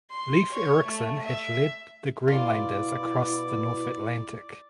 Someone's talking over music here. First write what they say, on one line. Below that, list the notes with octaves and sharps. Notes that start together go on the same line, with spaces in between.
Leif Erikson has led Greenlanders across the North Atlantic.
C6
C#5
A3
E5
B2 E4 F4 D5